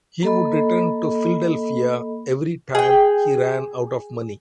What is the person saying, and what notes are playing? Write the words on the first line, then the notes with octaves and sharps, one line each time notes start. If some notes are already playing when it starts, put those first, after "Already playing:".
He would return to Philadelphia every time he ran out of money.
A#3 A4 D#5 B5
G#4 G5